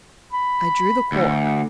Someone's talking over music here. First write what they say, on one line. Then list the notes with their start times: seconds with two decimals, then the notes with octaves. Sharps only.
I drew the cork.
0.33 B5
1.12 D2